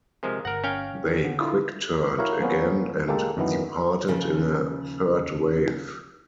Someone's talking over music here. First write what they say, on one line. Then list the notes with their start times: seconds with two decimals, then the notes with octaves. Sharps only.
They "quick-turned" again and departed in a third wave.
0.23 C3 F3 G#3 A#4 G#5
0.45 G1 A#4 F#5 A#6
0.64 C#4 F5 G5
1.04 D#3
1.24 D3 B3
1.39 D3 E4 F4
2.18 E4 F#4 A#4 C#5 F5 F#5
2.40 F3 A#3 B3 C#4
3.08 G#3 A#3 G4 A4
3.37 F#2 D#3 E3 B3
4.08 D#2 C#3 F3